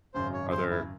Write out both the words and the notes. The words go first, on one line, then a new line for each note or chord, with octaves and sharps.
are there
G#1 F#2 C#3 C5
C#5
C5
E4